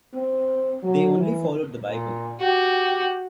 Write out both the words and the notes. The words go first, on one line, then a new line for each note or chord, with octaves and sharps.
They only followed the Bible.
C4
F#3
E3
A#2
F#4 G4